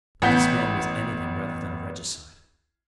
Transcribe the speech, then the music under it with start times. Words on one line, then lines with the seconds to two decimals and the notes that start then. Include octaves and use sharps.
But this man was anything rather than a regicide.
0.22 A1 B3 F#5 G6 B6